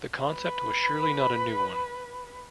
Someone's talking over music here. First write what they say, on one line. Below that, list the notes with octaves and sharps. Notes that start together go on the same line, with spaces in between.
The concept was surely not a new one.
B4 B5